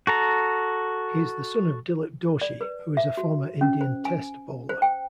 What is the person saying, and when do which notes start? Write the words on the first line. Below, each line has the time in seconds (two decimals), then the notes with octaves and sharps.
He is the son of Dilip Doshi, who is a former Indian Test bowler.
0.07 F#4 A4 A#5
2.41 D5
2.61 B4
2.97 E5
3.17 F#4
3.61 C#4
3.81 C5
4.05 G#5
4.69 C5
4.82 G5